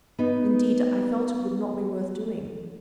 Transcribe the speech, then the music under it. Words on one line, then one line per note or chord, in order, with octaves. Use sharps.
Indeed I felt it would not be worth doing.
B3 D#4